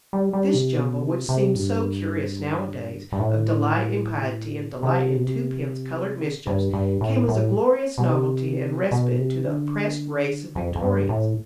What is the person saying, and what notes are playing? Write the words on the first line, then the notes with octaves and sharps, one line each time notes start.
This jumble--which seems so curious nowadays--of delight in piety and delight in twopence-coloured mischiefs came as a glorious novelty and respite to the oppressed race of Victorians.
G3
G3
C3
B2
C3
C3
G2
G2
A2
C3
B2
C3
G2
G2
A2
A2
B2
C3
B2
C3
D3
F2
F2
G2
A2